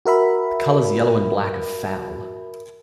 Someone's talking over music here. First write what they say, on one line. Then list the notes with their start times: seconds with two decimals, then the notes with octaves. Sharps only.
The colours yellow and black are foul.
0.05 F#4 A#4 E5 B5